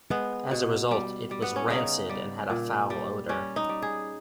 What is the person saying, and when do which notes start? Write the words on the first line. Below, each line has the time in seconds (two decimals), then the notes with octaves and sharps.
As a result, it was rancid and had a foul odor.
0.10 G#3 B3
0.51 B2
0.91 G3
1.31 G3
1.42 B3
1.56 C#4
1.70 C#3 D#4
2.09 G3
2.50 A#2
2.90 G3
3.29 G3 C#4
3.56 D#4
3.69 G3
3.82 G#4